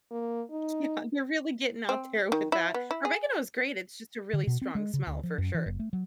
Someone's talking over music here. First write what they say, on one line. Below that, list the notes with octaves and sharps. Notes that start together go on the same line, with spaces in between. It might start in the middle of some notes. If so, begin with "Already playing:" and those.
Yeah, you're really getting out there with that, oregano is great, it's just a really strong smell for sure.
A#3
D#4
C4
D#3
E4
B3
E4
G#4
D3
B2
C4
G#3
C#3
D2
F3
F#2
E3
F#1
A3
F#3